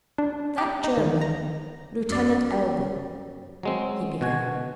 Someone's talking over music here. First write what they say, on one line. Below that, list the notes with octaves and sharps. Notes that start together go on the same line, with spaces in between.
"That German, Lieutenant Elbl," he began.
D4
G4
D#4
D#3
A#5
F#2 D5
F#3 G#3 C4
B2 F#4 G#5